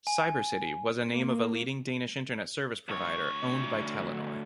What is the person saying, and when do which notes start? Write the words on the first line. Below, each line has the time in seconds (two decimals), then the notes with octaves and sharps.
Cybercity was a name of a leading Danish internet service provider owned by Telenor.
0.07 G#5
1.12 A#3
2.89 D2 C#5